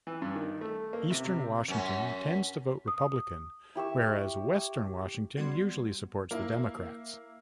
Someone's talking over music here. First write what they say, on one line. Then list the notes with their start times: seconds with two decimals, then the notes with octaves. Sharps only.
Eastern Washington tends to vote Republican, whereas Western Washington usually supports the Democrats.
0.07 E3
0.22 G2
0.35 D#3
0.61 A3
0.93 A#3
1.10 C3
1.25 C3
1.68 F#2 C#4
2.88 D#6
3.75 E4 G4 C#6 E6
5.36 G3 B3 F#4 C6 G#6
6.31 A#3 E4